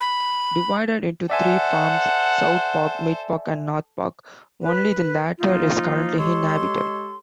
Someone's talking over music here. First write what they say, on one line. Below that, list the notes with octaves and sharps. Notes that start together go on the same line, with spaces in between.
Divided into three farms, Southpark, Midpark and Northpark, only the latter is currently inhabited.
B5
A4 C5 D5 E5 F#5 G#5
B4
F3 A#3 D#4 F4
G#3 G4 A4 C#5 C6